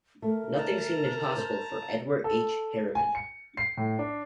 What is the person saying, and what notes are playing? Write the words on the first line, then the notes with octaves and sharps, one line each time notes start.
Nothing seemed impossible for Edward H. Harriman.
A3 A#4
A5 A#5
C5
A4
G#5
C#7
C7
A2
D4